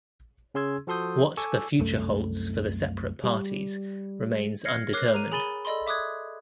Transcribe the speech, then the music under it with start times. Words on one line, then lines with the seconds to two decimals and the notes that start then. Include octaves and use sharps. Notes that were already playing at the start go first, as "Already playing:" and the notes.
What the future holds for the separate parties remains undetermined.
0.54 C#3 C#4 G#4 C6 E6 G#6
0.87 F3 F#4 A4 C6 D#6 G6
1.37 A4 G#5 C#6 D6 E6
1.80 C2 F#2 A3
3.24 G3
4.65 F6 G#6 A#6 C7 C#7
4.93 A#4 C#5 D6 F6 F#6 C7
5.14 A#5 D#7
5.32 G#4 G#5 B5 A6 D#7 G7
5.65 A4 D5 D#5 B5 C6
5.87 E5 D6 D#6 F#6 G#6